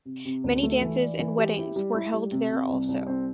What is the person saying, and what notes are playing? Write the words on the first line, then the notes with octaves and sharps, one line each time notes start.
Many dances and weddings were held there also.
C3
C3
D2
A3
E3
D5
E3
G4
E4
G3
E4
G3
C3
C3
C2
C2
C4